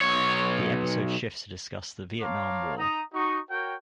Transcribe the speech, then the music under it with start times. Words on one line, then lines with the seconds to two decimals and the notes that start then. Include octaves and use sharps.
The episode shifts to discuss the Vietnam War.
0.01 B1 C#5
2.21 C#5 F5 A5 A#5 C6 D6
2.77 D#4 A#5 D#6
3.13 D#4 F#4 C#6
3.50 F#4 A#4 C#5 G5